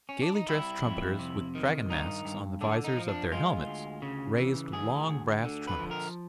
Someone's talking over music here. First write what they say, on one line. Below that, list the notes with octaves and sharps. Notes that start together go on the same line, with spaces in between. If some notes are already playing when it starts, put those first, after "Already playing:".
Gaily dressed trumpeters with dragon masks on the visors of their helmets raised long brass trumpets.
C#4
D4
D#4
G3 E4
F2
C3
D#3
G2 D#4
G2
D3 D4
D#4
F3
D4
G#3 F4
D2
C#3
E3
D2 G#4
D2
D3
B4
F3
A#4